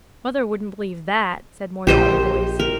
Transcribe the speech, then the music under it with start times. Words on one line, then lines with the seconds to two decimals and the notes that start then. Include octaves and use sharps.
'Mother wouldn't believe THAT,' said more than one voice.
1.87 A#1 G4 C5 D#5
2.59 A#4